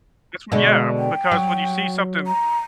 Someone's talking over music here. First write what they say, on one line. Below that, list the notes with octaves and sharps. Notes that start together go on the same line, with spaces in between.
That's what yeah, because when you see something
B2 D3 G#3
G5
F#3
A#5